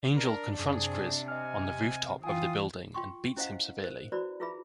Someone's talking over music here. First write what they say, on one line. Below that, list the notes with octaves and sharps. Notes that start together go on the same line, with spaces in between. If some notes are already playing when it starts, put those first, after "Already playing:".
Angel confronts Gris on the rooftop of the building and beats him severely.
D4 A#4
F#2 C3 G#4
D#5 G#5 F6
E3 F4 G5 G#5 D#6
F4 G5 C6 C#6
C#4 E4 C5 D#5 F5 F#5
A#4 C5
E4 F#4 B4 C5 D5 B5
E4 F4 G#4 B4 E5 B5